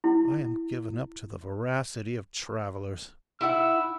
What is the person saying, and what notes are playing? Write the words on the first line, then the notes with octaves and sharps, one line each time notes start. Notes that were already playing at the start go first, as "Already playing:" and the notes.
I am given up to the voracity of travellers.
E4
E4 F#5 E6